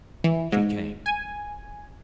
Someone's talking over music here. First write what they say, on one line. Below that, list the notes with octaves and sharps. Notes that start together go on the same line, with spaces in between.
She came.
E3
G#2
G#5